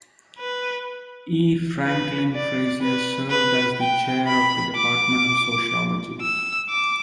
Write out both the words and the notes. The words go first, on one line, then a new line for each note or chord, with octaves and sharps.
E. Franklin Frazier served as chair of the Department of Sociology.
B4
B4
D5
B4
B4
G5
B5
D6
E6
D6